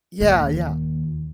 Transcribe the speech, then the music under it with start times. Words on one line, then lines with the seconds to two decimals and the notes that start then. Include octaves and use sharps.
Yeah, yeah.
0.21 D#2 A#2